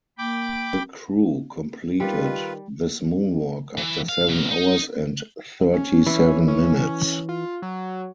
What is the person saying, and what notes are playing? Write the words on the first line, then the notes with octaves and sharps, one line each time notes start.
The crew completed this moonwalk after seven hours and thirty-seven minutes.
A#3 G5 B5 D6
D#3 G3 F4 B4
E3
F5
B2 A#4
D#4
C#4
E3
C#4
F4
F#3